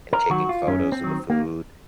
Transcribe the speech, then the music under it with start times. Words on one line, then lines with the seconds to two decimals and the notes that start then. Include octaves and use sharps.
and taking photos of the food,
0.13 A#4
0.30 D#3 F#3 F#4
0.49 F4
0.67 F#2 C#4
0.92 C4
1.04 D#3 F#3
1.30 A#3